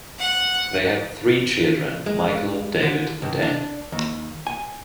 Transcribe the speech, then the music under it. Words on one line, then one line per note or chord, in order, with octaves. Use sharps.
They had three children, Michael, David and Ann.
F#5
G#3
D3
C#2
D4
D#2
G#5